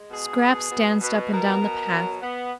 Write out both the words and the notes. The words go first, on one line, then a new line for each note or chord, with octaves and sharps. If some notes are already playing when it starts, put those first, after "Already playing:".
Scraps danced up and down the path.
Already playing: G#3
B2 G#4
B2
B2
B2
B2 A#4
B2
F#3
B3